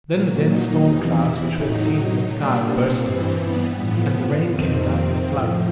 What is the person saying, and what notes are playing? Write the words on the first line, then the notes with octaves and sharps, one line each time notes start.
Then the dense storm clouds which we had seen in the sky burst on us, and the rain came down in floods.
A#2 F#3
D#4
E2 C3 E3
E4
A2 F#3 D#4
A#2 G3 D4
C4
G2 E3 G3 C4
B3
A2 F3 B3
F2 C3 D#3 C4
A2 F3